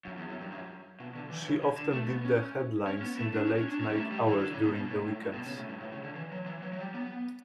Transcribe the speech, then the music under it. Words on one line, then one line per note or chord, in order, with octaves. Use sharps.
She often did the headlines in the late night hours during the weekends.
F#2
E2
F#2
G2
F#2
B2
D3
E3
D3
C#3
D3
D3
A3
B3
C#4
C#4
B3
A3
D4
C#4
C#4
D4
C#4
G3
A3
G3
E3
D3
C#3
B2
B2
A2
A2
G2
B2
C#3
A2
G2
A2
C#3
D3
E3
F#3
E3
F#3
F#3
G3
B3